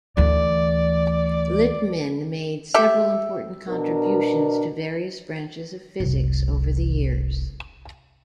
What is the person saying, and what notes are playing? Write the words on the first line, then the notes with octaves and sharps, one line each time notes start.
Lippmann made several important contributions to various branches of physics over the years.
D2 E3 D5
G4 A4 E5
B2 D4 A#4
F1 C2